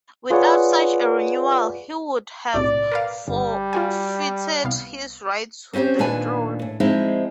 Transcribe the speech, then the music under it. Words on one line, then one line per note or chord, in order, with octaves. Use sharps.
Without such a renewal he would have forfeited his right to the throne.
F4 G#4 B4 C#5 D5 F#5
B1 A2 C3 D5
A#4 B4 F5
G1 G3
F4 F#4 G#5
C2 B3 F5
C4 C#4 F4 G4 C5
D#2 A#2 D4 B4 G#5
A2
F3 G#3 C4 D#4 E4